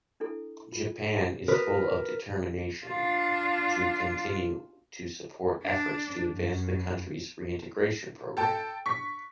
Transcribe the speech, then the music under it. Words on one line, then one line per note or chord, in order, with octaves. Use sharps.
Japan is full of determination to continue to support efforts to advance the country's reintegration program.
D4 E4 A4
F4
F#4 A#4 B4 D#6
D4 F4
D4
F#2
A4 G5 A5
C#6 B6